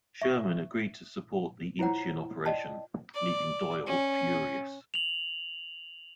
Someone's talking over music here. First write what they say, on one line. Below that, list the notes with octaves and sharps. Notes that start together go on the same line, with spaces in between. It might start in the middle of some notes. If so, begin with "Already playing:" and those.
Sherman agreed to support the Incheon operation, leaving Doyle furious.
E5 C#6
E4 F4 C5 C#5 F#5 A#5
D5 D#5 G5 A5 C6
D5
C#4
F7 F#7